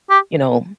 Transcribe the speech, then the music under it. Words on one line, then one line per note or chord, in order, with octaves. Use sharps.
you know,
G4